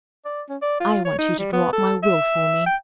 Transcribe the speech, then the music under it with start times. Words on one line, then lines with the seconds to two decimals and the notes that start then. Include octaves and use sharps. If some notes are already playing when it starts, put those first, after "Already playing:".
"I want you to draw up my will for me."
0.25 D5
0.49 C#4
0.62 D5
0.80 F4
1.05 C#5
1.18 D#4
1.38 G3
1.53 B3
1.72 A4
2.03 E5
2.66 G5